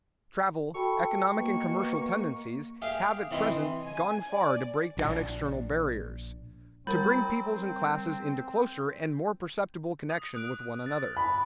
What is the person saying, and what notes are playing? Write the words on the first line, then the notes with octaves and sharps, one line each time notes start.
Travel, economic and commercial tendencies, have at present gone far to break down external barriers; to bring peoples and classes into closer and more perceptible connection with one another.
F#4 A4 G5 B5 C#6
B2 A#3
G4 G#4 E5 F5
C3 E3 E4 D#5 C6
G#5
D5
A#1 F3 D4
G3 C4 A#4 A#5 B5 G6
D#6
D#6 F#6 D7
A6
B5